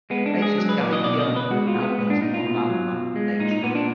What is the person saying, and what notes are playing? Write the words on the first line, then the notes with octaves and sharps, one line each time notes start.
Bassist Gary Cioni now plays in Long Island band Daytrader.
G#3 B3
D4
G#3
G#4
F#3
B4
A#2 D5
D#5
B2 D5
D#5
B2
B4
G#3 F#4
F4
G#3
B3
A#2 B3
D4
A#2 D#4
F4
B2
F#3
B2
G#3
A#2 D#4
D#4
A#2 B3
D4